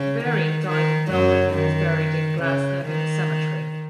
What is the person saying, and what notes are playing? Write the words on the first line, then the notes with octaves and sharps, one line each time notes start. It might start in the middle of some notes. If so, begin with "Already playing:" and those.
Varian died in Dublin and is buried in Glasnevin Cemetery.
Already playing: C#3
D#3
D#3
F#2 F#3
D#3
C#3
D#3